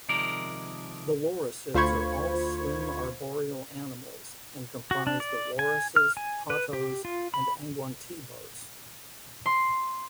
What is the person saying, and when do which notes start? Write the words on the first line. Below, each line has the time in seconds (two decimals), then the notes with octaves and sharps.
The lorisids are all slim arboreal animals and comprise the lorises, pottos and angwantibos.
0.09 C3 D#3 F3 G#3 A#4 D5
1.74 D2 F4 C5 B5 C#6 G#6
4.91 F#4
5.07 D4
5.20 D5
5.59 G#5
5.96 F6
6.17 G#5
6.50 B4
6.73 G4
7.05 F4
7.34 B5
9.46 C6